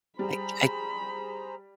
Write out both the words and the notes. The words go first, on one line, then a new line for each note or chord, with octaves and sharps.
I I
G3 G#4 C5 A#5 B5